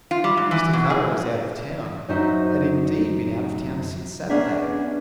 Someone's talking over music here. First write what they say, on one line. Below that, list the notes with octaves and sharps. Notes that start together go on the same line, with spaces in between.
Mr. Kara was out of town, had indeed been out of town since Saturday.
F4
G3
G#2
E3
B2
G#4
F#2 D#4 F#4 C5 E5
B3 C#4 D4 G#4 A#4 E5